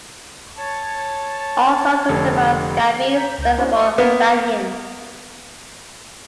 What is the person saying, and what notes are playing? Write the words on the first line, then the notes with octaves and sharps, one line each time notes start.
All songs written by Scabies, Sensible, Vanian.
C#5 A5
F1 D3
A#5 G6 B6
C#2 A#5 G6
B3 C#4 D4 E4 F#4 C5
D#5 C6 D6 D#6 F6 C#7
A#3 B3